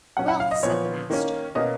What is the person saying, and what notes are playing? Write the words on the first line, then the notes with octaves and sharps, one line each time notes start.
Wealth, said the Master.
A#2 F#3 C#4 F#5
F#5
F5
D#5
A#2 F3 B3 C#5
D#3 A#3 C#4
B2 A#3 C#4 D#5